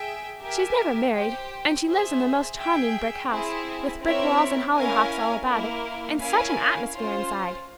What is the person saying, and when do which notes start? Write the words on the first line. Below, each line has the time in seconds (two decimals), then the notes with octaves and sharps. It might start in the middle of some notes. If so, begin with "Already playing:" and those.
She's never married, and she lives in the most charming brick house, with brick walls and hollyhocks all about it, and such an atmosphere inside!
Already playing: G#4 E5 G5
0.40 G4 A#4 E5 G#5
1.13 G4 C5 G5
1.86 G#4 C5 E5
2.58 G#4 E5 G5
3.30 C4 E4 G#4
4.02 C4 E4 A#4 C#5 E5
4.75 C#4 E4 A#4 F5 G#5
5.48 A#3 E4 A#4
6.20 C#4 E4 A#4 F5 G#5
6.93 C#4 F4 C5